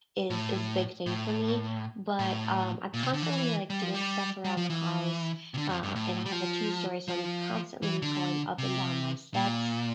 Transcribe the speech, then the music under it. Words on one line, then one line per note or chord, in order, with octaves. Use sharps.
is is big thing for me. But, um, I'm constantly, like, doing stuff around the house, uh, and I have a two-story, so I'm constantly going up and down my steps,
A2
A2
A2
A#2
C3
D3
E3
G3
F3
G3
G3
F3
E3
C3
D3
F2
G2
A2
G3
F3
F3
E3
D3
C3
A#2